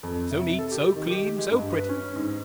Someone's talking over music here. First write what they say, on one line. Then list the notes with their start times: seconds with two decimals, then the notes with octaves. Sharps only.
So neat, so clean, so pretty!
0.03 F2
0.31 C3
0.59 A4
0.72 G4
0.96 D#3
1.10 G4
1.38 G#3
1.51 G2
1.72 B4
1.89 C#4
2.15 G#2